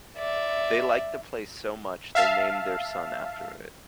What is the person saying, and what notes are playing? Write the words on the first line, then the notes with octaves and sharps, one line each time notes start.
They liked the place so much they named their son after it.
D5 E5
E5 F5 A5